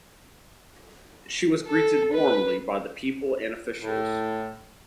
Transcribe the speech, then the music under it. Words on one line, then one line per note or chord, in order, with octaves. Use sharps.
She was greeted warmly by the people and officials.
A4
B4
A2